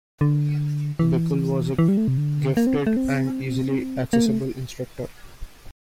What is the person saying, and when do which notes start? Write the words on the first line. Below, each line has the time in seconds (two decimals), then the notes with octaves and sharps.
Bickel was a gifted and easily accessible instructor.
0.21 D3
0.99 E3
1.79 E3
1.88 G3
1.97 A3
2.08 C3
2.18 D3
2.57 A#3
2.67 C4
2.87 A3
2.97 C4
4.13 A#3
4.26 A3